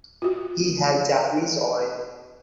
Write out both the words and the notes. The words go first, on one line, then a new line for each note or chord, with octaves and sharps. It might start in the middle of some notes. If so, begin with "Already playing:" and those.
He has Japanese origin.
F4 F#4